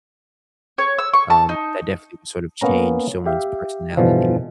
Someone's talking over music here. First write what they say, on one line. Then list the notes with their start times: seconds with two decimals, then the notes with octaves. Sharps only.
um, that definitely would sort of change someone's personality
0.78 C#5
0.99 E6
1.13 C#6
1.30 A5
1.49 D#4
2.61 A#3 B3 C#4 A#5
3.26 G4 E5 F5
3.97 G2 B2 D3 E3 F3